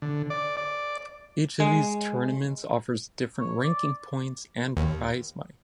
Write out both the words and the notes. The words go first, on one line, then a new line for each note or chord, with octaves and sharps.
Each of these tournaments offers different ranking points and prize money.
D3
D5
D5
G#3
C#5
D5
D#2